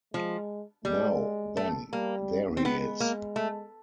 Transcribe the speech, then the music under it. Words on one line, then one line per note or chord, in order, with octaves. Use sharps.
Now, then, there he is!
F3 G#3
G3 G#3
A3
G3 A#3
C4
G#3 B3
A#3
A3